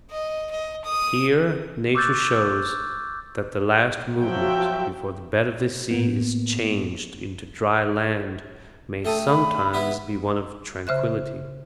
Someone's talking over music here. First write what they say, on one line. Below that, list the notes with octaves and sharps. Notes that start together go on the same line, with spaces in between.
Here nature shows that the last movement before the bed of the sea is changed into dry land may sometimes be one of tranquillity.
D#5
D#5
D#6
C#6 D6 E6 F#6 G6 A6
F3 F#3 F#4 E5 G5
A2 A#3 B3
A3 A4 G5 D#6
B5
B3 E4 B4
C#3 C5 E5 F#6